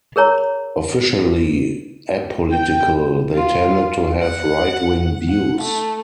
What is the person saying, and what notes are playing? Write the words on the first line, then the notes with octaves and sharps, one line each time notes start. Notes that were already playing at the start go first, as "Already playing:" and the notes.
Officially apolitical, they tended to have right-wing views.
G#4 A#4 C#5 A#5
G5
F4
F#5
F#5
A3